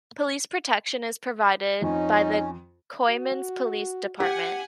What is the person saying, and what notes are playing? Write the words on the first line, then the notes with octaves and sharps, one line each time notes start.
Police protection is provided by the Coeymans Police Department.
F2 C#4 D#4
F#4
G4 F#5 G#5